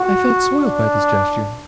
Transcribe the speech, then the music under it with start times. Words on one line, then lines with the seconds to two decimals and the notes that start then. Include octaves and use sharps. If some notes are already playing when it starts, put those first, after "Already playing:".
I felt soiled by this gesture.
Already playing: F#4
0.59 D4